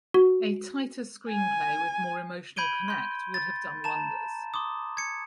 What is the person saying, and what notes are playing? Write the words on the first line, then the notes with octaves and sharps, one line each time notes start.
A tighter screenplay with more emotional connect would have done wonders.
F#4
G#5
B5 G6 G#6 D7 D#7 G7
C6 G6
A6
A5 A#5 E7
C6 D6 D#6
G#6 C#7